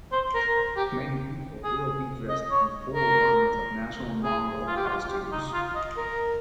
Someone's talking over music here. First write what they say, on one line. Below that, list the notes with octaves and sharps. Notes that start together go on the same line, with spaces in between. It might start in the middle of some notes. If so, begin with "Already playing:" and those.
Many people will be dressed in full garment of national Mongol costumes.
C5
A#4
G4
G#4
D#5
C#5
A#4
G#4
F4
G4
F4
G4
D#4
F4
D#5
A#4